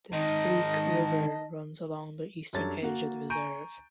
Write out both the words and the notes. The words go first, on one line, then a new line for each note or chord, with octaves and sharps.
The Zbruch River runs along the eastern edge of the reserve.
D#3 G#3 D#4 D#5 A5
F#2 G3 D4 A4 C#5 A6
A#3 F#4
G#5 A#5 C#6 G6 D7 D#7